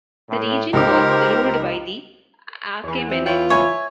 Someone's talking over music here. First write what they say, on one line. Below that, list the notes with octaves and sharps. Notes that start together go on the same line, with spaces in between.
The region was ruled by the Achaemenids.
A2
C#2 D#4 G4 A#4 C5 D6
E2 E3
C4
E4 F4 C#5 G5
C#5 E5 G#5 B5